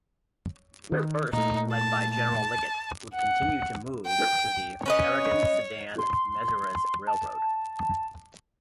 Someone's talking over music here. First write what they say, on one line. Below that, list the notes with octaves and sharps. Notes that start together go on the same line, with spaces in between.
The First, led by General Liggett, would continue to move to the Carignan-Sedan-Mezieres Railroad.
D#3
A#2 A3 D#4
A5
A5
F#5
G5
C#4 B4 C#5 D#5
C6
A5